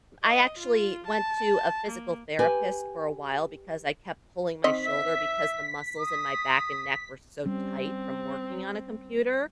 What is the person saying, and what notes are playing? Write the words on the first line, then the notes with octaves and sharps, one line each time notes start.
I actually went to a physical therapist for a while because I kept pulling my shoulder because the muscles in my back and neck were so tight from working on a computer,
D#5
F4
A5
A#3
G4 B4 G#5
D#3 C4 D#5 B6
E5
D#6
G3 C4 C#4